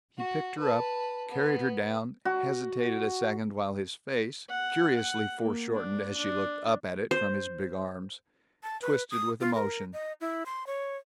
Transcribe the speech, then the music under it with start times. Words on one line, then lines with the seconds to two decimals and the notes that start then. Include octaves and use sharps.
He picked her up, carried her down, hesitated a second while his face--curiously foreshortened as she looked up at it from his big arms--twisted with emotion.
0.18 F#4
0.58 B4 A5
1.29 B3
2.25 F#4
4.49 F#5
4.96 F#5
5.40 A#3
5.74 D4
6.17 D4
7.11 C5
8.63 A5
8.82 B4
9.11 D#6
9.41 F4
9.55 A#4
9.93 D#5
10.21 E4
10.46 C6
10.67 C#5